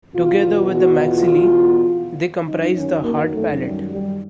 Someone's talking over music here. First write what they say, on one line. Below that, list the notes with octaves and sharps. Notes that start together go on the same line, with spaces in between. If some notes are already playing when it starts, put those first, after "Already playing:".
Together with the maxillae they comprise the hard palate.
E2 B2 F4
F#4
F4
F#2 D#3 D#4
C#4
A#3
A3
G3
G3